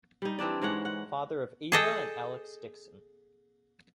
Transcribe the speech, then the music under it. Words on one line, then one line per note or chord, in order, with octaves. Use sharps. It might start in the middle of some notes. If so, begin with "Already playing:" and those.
Father of Ava and Alex Dickson.
G3 D#4
E3 C4 D4 D5
G#2 G#3 C#5 F#5
F#5
G#4 A4 D#5 G5